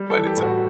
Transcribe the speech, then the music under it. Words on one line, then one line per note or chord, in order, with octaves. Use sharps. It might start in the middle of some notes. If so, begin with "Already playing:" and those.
But it's, uh
Already playing: G3
A4
E3
G4
A2
F#4